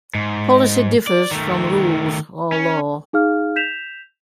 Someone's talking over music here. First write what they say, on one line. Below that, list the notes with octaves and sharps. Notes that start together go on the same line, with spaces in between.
Policy differs from rules or law.
G#2
D5
D#3 A3
C#4
D#4 G#4 F5 F6
G6 B6 E7 F7